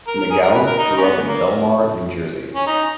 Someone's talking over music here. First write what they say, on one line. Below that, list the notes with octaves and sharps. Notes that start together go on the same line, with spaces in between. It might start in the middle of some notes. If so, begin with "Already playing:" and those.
McGowan grew up in Belmar, New Jersey.
A#4
A#4
G#4
A#4
B4
A#4
D#4
D#4
C#4
B3
A#3
C#4
D#4